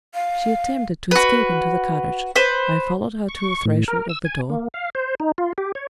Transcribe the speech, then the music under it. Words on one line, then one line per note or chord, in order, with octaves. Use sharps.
She attempted to escape into the cottage; I followed her to the threshold of the door.
F5
F#4 B4
B4 C5
C#6
A2
A#4
E6
G#5
A#3
F5
C5
D#4
F4
G4
C#5